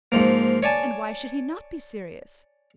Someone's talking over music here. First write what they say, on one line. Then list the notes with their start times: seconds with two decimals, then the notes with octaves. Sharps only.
"And why should he not be serious?"
0.12 G#2 F3 A#3
0.63 C#5 D5 G#5 A5